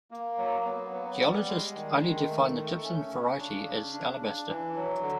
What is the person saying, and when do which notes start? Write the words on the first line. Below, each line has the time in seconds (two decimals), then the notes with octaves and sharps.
Geologists only define the gypsum variety as alabaster.
0.11 A#3
0.38 F#3
0.65 B3
0.92 B3
1.21 G3
1.48 G#3
1.74 D#3
2.02 D#3
2.30 A3
2.56 A3
2.84 C#4
3.11 C#3
3.39 D4
3.66 C#3
3.93 D4
4.21 D4
4.48 E3
4.76 F#3
5.02 D3